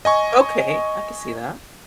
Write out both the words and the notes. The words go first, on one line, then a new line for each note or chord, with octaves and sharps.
Okay, I can see that.
D#5 G#5 C#6